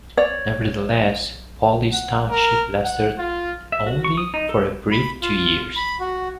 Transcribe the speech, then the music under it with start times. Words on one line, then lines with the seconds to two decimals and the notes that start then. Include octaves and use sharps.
Nevertheless, Pauli's township lasted only for a brief two years.
0.17 C#5 D5
1.92 F#5
2.30 A#4
2.84 F#5
3.18 F4
3.72 E5
3.87 F#4
4.04 C#6
4.17 D#6
4.34 D#4
4.49 A4
4.91 B5
5.22 F4
5.76 B5
6.00 F#4